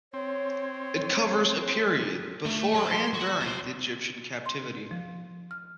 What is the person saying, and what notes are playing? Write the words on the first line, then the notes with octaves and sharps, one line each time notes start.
It covers a period before and during the Egyptian captivity.
C4 C#5
A3
F#3 C#5
C6
F#4
C2 C5
C6
F3
F6